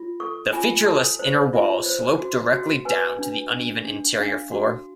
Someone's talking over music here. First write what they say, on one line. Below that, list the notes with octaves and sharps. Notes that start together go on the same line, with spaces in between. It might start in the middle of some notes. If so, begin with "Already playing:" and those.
The featureless inner walls slope directly down to the uneven interior floor.
Already playing: F4
A4 C#6
F4 G#5
A4 A5
C5
F4
C5
F#4
F#4
B4 G#5
D4
D4
D4
D4 F5
F#4